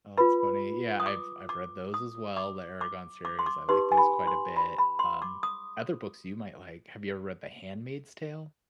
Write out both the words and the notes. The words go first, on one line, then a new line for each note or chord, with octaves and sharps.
Oh, it's funny. Yeah, I've I've read those as well, the Eragon series, I like those quite a bit, um, other books you might like, have you ever read The Handmaid's Tale?
F4 B4 B5
D#6
D6
D6
D#6
D6
D6
D6
C6
D6
D#4 G4 B4 C6
G#5
B5
C6
B5
B5
C6
D6
D#6